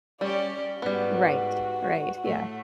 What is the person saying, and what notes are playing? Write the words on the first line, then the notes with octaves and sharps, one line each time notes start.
Right, right, yeah.
G3 C#4 G4 D5
G#2 G3 B3 F#4
A2 A3